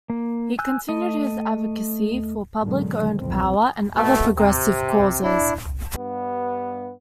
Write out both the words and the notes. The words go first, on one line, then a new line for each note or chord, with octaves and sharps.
He continued his advocacy for public owned power, and other progressive causes.
A#3
G#5 E6 F#6 G6
A3 D#5
G#2 B2 D3 D#3 F#3 G#3
F#1 B1 F2 A#2 F3 C4
B2 A3
C3
D4 E4
G2 B3